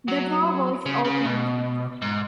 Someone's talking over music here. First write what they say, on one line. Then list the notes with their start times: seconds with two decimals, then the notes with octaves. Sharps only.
The door was opened.
0.08 F#3
0.86 C#3
1.04 C#3
1.24 B2
2.02 G#2